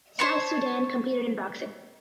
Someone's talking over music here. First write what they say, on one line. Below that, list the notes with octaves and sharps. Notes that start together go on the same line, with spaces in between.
South Sudan competed in boxing.
C5 C#5 A5 C#6